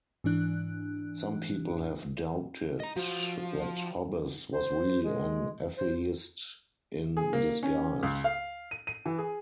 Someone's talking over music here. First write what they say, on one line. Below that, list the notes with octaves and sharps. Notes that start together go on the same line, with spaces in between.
Some people have doubted that Hobbes was really an atheist in disguise.
G#2 E3 D4 F#6
D#5 A#5
F3 F#4
C5
G#3
C5
G#4
A#3
C#4
C#2
F5
D#7
D#7
E3
G#4